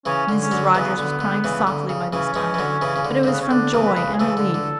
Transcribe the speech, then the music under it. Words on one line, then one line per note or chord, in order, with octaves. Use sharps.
Mrs. Rogers was crying softly by this time, but it was from joy and relief.
C#3 E3 C#4
D3
C#4
D3 F#3
C#3 E3 B3
D3
D3
C#3 E3
D3
C#3
C#3 E3 C#4
E3 G#3
E3
D3 F#3
C#3 E3
C#3
D3
D3
C#3 B3
C#4
D3 D4
C#3 E3
B4
C#3
G#4
C#3 E3 A4
D3
D3